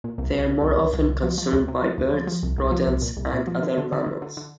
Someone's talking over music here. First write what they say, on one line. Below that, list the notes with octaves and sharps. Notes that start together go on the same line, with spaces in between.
They are more often consumed by birds, rodents and other mammals.
A#2
C2
C2
C2
C2
C2
C2
C2
F3
F3
D2
C3
F3
D2
F3
F3
C2
C2
F3
C2
A#2
C2
A#2
F3
D3
D3
D3
D3
D3
D3